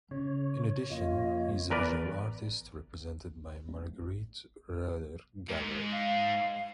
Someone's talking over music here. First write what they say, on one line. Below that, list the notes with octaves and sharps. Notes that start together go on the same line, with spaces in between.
In addition, he is a visual artist represented by Margarete Roeder Gallery.
C#3 C#5
F2 A#3 F4 C#5 D#5
E2 A#4 B4 D5
G#2
F5